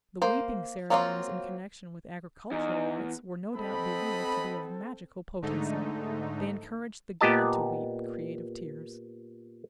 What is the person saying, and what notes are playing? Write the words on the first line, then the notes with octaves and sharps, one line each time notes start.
The weeping ceremonies in connection with agricultural rites were no doubt believed to be of magical potency; they encouraged the god to weep creative tears.
A#3 C5
F#3 A#3 C4 D4 F4
E2 D#4
B3 C4 A4 D#5 B5
G#2 D3 A3 D#4
A#2 B3 G4 D#5 A5